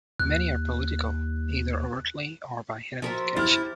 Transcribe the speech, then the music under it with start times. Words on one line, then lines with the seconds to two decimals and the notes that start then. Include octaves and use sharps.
Many are political, either overtly or by hidden implication.
0.20 D#2 F#6
3.02 F3 F#4 A#4 E5
3.36 E4 G4 F6 A6